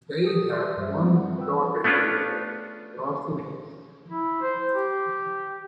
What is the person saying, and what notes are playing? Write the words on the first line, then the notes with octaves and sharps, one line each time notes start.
They had one daughter together, Rosines.
G4 A4 D#6
D5 E5 C6
G2 G3 C5 E5
G3 G#3 B3 C4 F#4
F#5
B4 G5 E6
A3 B3 C#4 D4 F4
E4
C5
G4